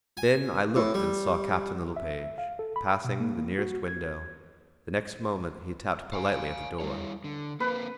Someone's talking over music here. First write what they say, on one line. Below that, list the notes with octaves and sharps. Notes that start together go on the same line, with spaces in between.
Then I looked, and saw Captain Littlepage passing the nearest window; the next moment he tapped politely at the door.
G#5
A2
G3
E5
F5
A4
B5
B2
A#3
F#4
G#6
F5 G#5
G3 E4 C#5
D3
A#3 C4 A#4 B4